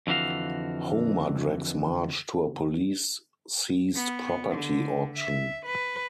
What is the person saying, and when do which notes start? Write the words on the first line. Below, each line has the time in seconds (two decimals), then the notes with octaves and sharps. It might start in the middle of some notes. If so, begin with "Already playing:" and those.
Homer drags Marge to a police seized-property auction.
0.07 F2 D3 E3 F#4 F5
3.95 B3
4.51 D3
5.16 E5
5.66 B4